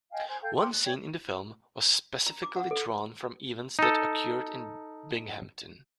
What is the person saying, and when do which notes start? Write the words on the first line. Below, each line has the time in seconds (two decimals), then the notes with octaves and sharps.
One scene in the film was specifically drawn from events that occurred in Binghamton.
0.11 D#5 F5 G5 G#5
0.27 C5 G#5
0.41 A4 F5 G5 G6
0.55 F#5 G5 C6 D6
0.71 F#6
0.83 C#5 D5 G5 G#6
2.27 A#5
2.43 D6
2.56 F#5
2.71 A4
3.79 D#4 A4